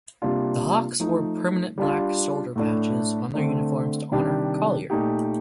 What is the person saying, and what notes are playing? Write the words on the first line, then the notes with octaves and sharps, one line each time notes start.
The Hawks wore permanent black shoulder patches on their uniforms to honor Collier.
C3 G3 A#3 D4 F4
F3 A3 D#4
G3 D4 F4
A2 A3 D4
D3 A3 C4
C3 D#3 G3 D4 G4
A#2 A3 D#4 G4